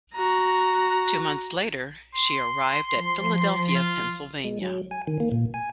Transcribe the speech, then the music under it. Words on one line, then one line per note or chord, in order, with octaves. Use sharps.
Two months later, she arrived at Philadelphia, Pennsylvania.
F#4 A#5
C6
F3
F4
G#3
F#3
G#5
D#3
A#3
A#2
G#5